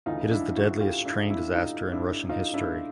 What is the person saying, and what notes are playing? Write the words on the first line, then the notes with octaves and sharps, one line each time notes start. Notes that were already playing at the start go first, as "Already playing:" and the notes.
It is the deadliest train disaster in Russian history.
D2 C#3 E3 D#4 F4
D4 E4
E4 F#4
F4 G4
D4 E4
D4 E4
D#4 F4
D4 E4
D#4 F4
D4 E4